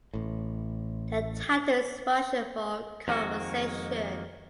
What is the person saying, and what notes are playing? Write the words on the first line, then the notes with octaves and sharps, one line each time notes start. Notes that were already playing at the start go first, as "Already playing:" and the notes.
The title is Russian for "Conversation".
A1 A2
F2 D#3 G#3 A#3 F#4